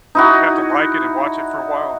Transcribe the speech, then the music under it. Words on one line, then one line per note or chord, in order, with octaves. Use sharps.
You have to like it and watch it for a while?
D#4 E4 F#4